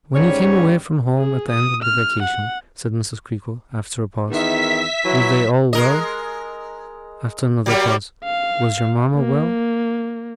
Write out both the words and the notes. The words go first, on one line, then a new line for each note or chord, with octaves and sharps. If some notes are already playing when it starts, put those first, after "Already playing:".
'When you came away from home at the end of the vacation,' said Mrs. Creakle, after a pause, 'were they all well?' After another pause, 'Was your mama well?'
G#2 G3 C#4 C#5
G#4
D#6
F6
F#5
E2 D#3 E5 B6
E3 F#3
G#3 A#4 D#5
F#3 G3 A#3
F5
A#3